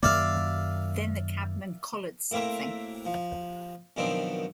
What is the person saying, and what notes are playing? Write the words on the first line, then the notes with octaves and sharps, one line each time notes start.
Then the cabman collared something.
F#2 D#3 A#3 D5 E5 F5
A2 A#3 C4 E5 A#5
F3
F#2 B2 D#3 F3 C4 D4